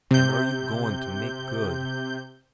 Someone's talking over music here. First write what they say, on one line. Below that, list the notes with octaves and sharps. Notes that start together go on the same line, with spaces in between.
And are you going to make good?
C3 G6